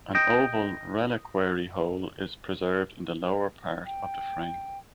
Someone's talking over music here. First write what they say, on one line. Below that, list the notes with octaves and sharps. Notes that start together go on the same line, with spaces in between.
An oval reliquary hole is preserved in the lower part of the frame.
D#5 G5
G5